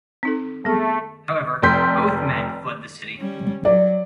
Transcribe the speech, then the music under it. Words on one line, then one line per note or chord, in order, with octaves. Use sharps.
However, both men fled the city.
C4 D#4 A4
A3 B3 G#4
F1 F2 C6 G6 B6
G3 C#4
F#3 D5